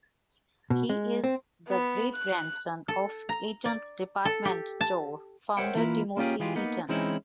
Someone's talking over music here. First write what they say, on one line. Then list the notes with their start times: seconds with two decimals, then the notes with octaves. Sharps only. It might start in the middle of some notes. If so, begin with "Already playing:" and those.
He is the great-grandson of Eaton's department store founder Timothy Eaton.
0.70 B2
0.89 G#3
1.24 C4
1.68 B3
2.15 F#6
2.88 A4
3.29 A#5
3.65 D5
4.25 A4
4.45 G4
4.81 A5
5.57 A#4 C5 C#5 E5 F#5 G5
5.75 E3 A#3 E4 F4 B4
6.17 A#3 C#4 F4 G4 G#4
6.40 E3 G#3 F4 G4 G#4
6.55 A#3 B3 D#4
6.89 E3 G#3 C4 C#4 D#4 E4